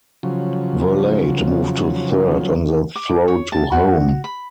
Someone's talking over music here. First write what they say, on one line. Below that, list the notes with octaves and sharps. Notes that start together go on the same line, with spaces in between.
Verlade moved to third on the throw to home.
C#3 F3 F#3
D6
C#5
A5
F#4
B5